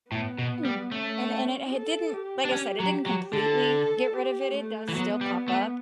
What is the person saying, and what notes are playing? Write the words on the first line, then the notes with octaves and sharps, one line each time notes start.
Mm, and it and it h didn't, like I said, it didn't completely get rid of it, it does still pop up,
A2 B3
B2
G3
A3 C#4
A4
G4
D4
C#4
F#3
F#3
D3 A4
G4
A3
E3
F#3 B3
G3
A3